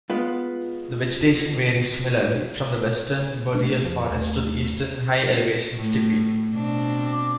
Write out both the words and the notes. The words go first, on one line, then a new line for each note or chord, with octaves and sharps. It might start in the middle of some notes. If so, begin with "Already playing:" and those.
The vegetation varies similarly, from the western boreal forest, to the eastern high-elevation steppe.
G#3 B3 F4
B2 A3 A#3 D4
F2 F3 C4
D#2 A3
A2
B2 C4 D4
D6